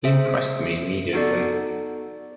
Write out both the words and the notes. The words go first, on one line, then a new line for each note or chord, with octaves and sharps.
He impressed me immediately.
G#4 C5 E5
B3 D#4 F#4 A4 D5